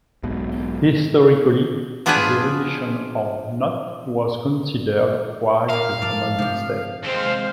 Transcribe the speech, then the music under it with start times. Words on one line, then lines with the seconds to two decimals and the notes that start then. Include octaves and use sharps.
Historically, the omission of "not" was considered quite a common mistake.
0.23 B1 G#2 B2
2.06 F3 B3 D4 F4 G#4 B4
5.69 A#2 A#4 F5
6.02 G2 F3 D5 A5
6.38 C3 F3 A3 D4 G4
7.04 D#2 G#3 C4 C5 F5